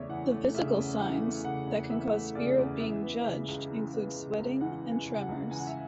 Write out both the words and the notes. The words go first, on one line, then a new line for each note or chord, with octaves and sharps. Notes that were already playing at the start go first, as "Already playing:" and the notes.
The physical signs that can cause fear of being judged include sweating and tremors.
Already playing: E2 C#3 A3 C#5 D5 E5
E3 F#5
A3
C#3 E5
E2
E3 F#5
A3
C#3 F#5
E2
E3 E5
A3
C#3 D5
E2
E3 E5
B3
C#3
C#2
E3
B3
C#3
C#2
E3 F#5
B3
G#5
C#3
F#5
C#2
E3 G#5
F#5
E5